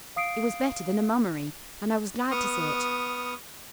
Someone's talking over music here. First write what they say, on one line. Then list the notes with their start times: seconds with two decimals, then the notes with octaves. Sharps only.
It was better than a mummery, and I was glad to see it.
0.16 F5 D#6 C7 D7
2.31 B3 C#6 D#6 F6